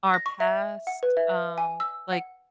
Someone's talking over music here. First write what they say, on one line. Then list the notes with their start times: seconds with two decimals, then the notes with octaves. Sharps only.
our past, um like,
0.14 A#6
0.26 C#6
0.40 E5
0.87 F#5
1.03 B4
1.17 E5
1.58 G#5
1.80 E6
2.12 F#5